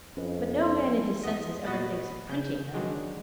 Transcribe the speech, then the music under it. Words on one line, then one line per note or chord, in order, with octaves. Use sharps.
But no man in his senses ever thinks of printing them.
F2 C#4 B4 D#5
C6
E2 B3 D#5
A#2 B3 F#4 D#5 B5 A6
C#3 G6
D#3 F#3 G#3 D4